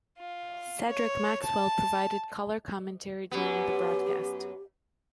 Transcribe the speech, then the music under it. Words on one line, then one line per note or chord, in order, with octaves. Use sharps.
Cedric Maxwell provided color commentary during the broadcast.
F4
C#5
A5
F#2 B3 G4